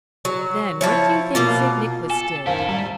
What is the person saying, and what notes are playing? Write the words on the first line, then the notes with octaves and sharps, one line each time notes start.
Then what do you think St. Nicholas did?
F#3
F3 E4 C#5
B2 A#3 F4
A4 G#5
F#2 D#3 E4 A4 C5 F5 A5
G3 A#5